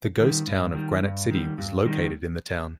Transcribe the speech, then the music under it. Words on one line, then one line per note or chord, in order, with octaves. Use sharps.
The ghost town of Granite City was located in the town.
D#3 G3
G2
D#3 G3
G2
D#3 G3
G2
D#3 G3